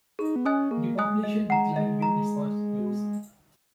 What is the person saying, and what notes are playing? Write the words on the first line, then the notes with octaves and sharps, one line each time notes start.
The population declined when this was closed.
D#4 G#4
B3
C#4 D#5 G#5 D#6 F#6
A#3 G#4
G#3 D#5 G#5 D#6 F#6
G#3 D#5
F#5 A#5
G#3 D#5
A#5